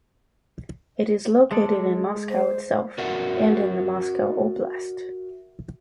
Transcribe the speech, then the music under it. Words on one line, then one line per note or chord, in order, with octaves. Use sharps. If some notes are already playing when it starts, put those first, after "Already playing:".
It is located in Moscow itself and in the Moscow Oblast.
G#3 A4 D5
C5
F#4 A#4 D5 E5 F#5